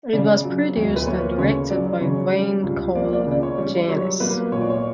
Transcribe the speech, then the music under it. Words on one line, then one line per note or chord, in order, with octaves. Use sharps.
It was produced and directed by Wayne Coles-Janess.
C#3 D5
F#3
D2
B4
A#3 C#5
C#3 C#5
F#3 D5
C#3 C#5
G3
C#2
A#3 D5
D5
C#3 D5
C#5
G3
F#3 C#5
A#3 B4
A#2 C#5
D5
C#5